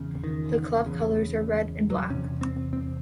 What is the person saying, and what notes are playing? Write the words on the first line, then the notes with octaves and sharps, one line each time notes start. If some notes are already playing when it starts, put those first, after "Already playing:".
The club colours are red and black.
Already playing: E2 C#3
D#3
E2 C#3
F#3
E2 C3 C#4
C4
C4